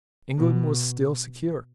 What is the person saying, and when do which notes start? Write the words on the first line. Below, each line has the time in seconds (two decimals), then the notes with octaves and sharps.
England was still secure.
0.38 B2